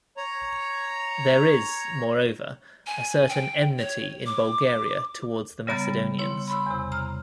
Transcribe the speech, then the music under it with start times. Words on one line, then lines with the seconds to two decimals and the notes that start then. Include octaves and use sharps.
There is, moreover, a certain enmity in Bulgaria towards the Macedonians.
0.17 C#5 A#5
2.87 G#5
3.29 G5
3.79 C#5
4.26 D6
5.67 C#3 G3 B3 A#5 A6
6.19 E4 C#5 C6
6.48 B5 C6 E6
6.66 E2 C3
6.92 A#5 F6